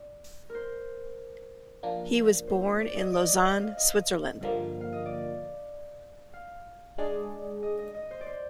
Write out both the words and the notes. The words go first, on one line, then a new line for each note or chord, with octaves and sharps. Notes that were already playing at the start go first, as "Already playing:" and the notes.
He was born in Lausanne, Switzerland.
Already playing: D5
A#4 C5
F3 A#3 D4
C5
C5
D5
D#5
D5
D#5
D5
D#5
F5
D#5
G2 D3 F3 A#3
F5
D#5
D5
F5
G#3 D4 G#4 D5
D#5
D#5
D#5
C5
D5
C5